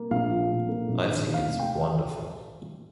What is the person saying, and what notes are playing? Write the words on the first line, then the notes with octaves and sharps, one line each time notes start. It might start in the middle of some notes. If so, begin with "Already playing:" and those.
I think it's wonderful.
Already playing: A#3
A#1 F5
F3
A#2
A#3
A#1
D#3
D#2
F5
F1
G5